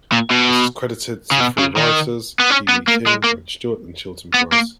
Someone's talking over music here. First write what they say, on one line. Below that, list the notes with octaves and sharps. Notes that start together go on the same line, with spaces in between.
It is credited to three writers: Pee Wee King, Redd Stewart, and Chilton Price.
A#2
B2
C#3
B2
C#3
D#3
B3
C#4
B3
A#3
G#3
A#3
B3
A#3